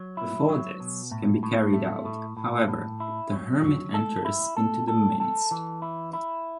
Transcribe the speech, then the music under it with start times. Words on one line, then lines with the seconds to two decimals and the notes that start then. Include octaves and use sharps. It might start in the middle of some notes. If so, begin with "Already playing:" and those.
Before this can be carried out, however, the hermit enters into their midst.
Already playing: F#3
0.17 E4
0.49 F#3
0.80 B2
1.11 A2
1.43 A2
1.74 A3
2.05 A2
2.37 A2
2.68 A2
3.00 E4
3.31 F#3
3.62 F#3
3.94 A4
4.25 E4
4.57 A4
4.88 A4
5.20 A4
5.51 E3
5.82 E4
6.13 E4